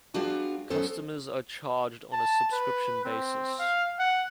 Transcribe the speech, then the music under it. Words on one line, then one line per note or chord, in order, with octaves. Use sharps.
Customers are charged on a subscription basis.
G3 B3 D4 F4 F#4 G#4
F#3 B3 C#4 A4 C5
A5
B4
C4
F5
F#5